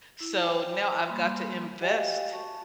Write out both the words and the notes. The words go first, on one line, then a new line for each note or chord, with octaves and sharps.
so, now I've got to invest
E4
C5 G5 G#5
G3 A#3 B5 C6
F#4 G4 D#5 F5 G5 G#5
F#4 A5 C#6